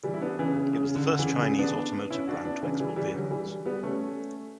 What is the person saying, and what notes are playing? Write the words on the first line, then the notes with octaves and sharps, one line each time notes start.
It was the first Chinese automotive brand to export vehicles.
E3 G3
E4
B3 D4
C#3 E3
C#3
C#3
C#3
D3
D3
C#3 E3
D3
C#3 E3
B3 D4
C#4 E4
D4 F#4
B3 D4
C#3 E3
E3 G3
E3 G3
D3 F#3
E3 G3
G3 B3
A3 C#4